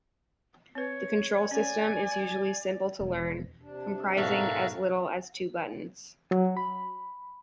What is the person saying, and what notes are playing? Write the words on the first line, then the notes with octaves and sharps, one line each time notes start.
The control system is usually simple to learn, comprising as little as two buttons.
C4 B4 C#5
C#4 C#5 D5 G#5
E1
C3 D4
G#2 B2 A4 A#4 E5 F5 F#6
F#3
B5